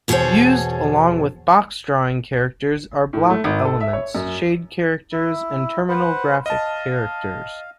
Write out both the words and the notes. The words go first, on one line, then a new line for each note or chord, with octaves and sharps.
Used along with box-drawing characters are block elements, shade characters, and terminal graphic characters.
E2 B2 G#4 A4 C5 C#5
A2
A3
G#1
A4
E5
C#5
F#2
E4
B4 C5 F#5
D#5 F5 A5